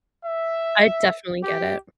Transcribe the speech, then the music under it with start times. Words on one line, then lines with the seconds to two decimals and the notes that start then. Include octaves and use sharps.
I definitely get it.
0.24 E5
1.43 G4